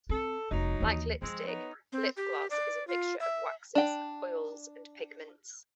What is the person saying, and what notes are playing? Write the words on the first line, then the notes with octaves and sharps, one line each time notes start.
Like lipstick, lip gloss is a mixture of waxes, oils, and pigments.
C4 A4
F1 F#3 D#4
D#2 E3
F3 G#3 C4
B3 D#4 C#5
C4
G4
D5
F4
E5
D4 G5